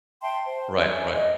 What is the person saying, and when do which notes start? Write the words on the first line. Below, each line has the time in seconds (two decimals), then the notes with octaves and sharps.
Right, right.
0.22 E5 G5 A5 C6
0.45 C5
0.79 E5 G#5
1.12 D#5